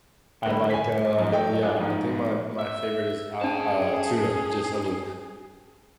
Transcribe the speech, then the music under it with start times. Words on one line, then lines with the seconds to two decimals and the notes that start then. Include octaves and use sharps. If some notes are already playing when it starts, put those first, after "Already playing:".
I like, uh yeah, I think my my favorite is, uh uh, tuna, just I mean,
0.46 G2 D3 G3 A#3
0.70 G#5 B6
1.17 F#2 F3
1.31 F#3 A3 G5
1.62 G3 D4 E4 F4 G#4
1.79 G#2 F3
2.59 E5
3.41 C#4 D4 G#4 C5 G5 A5